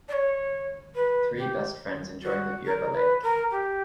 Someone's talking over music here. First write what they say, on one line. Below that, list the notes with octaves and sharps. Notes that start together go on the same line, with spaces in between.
Three best friends enjoying the view of a lake.
D5
C#5
B4
G4
F#4
A#4
B4
A#4
G4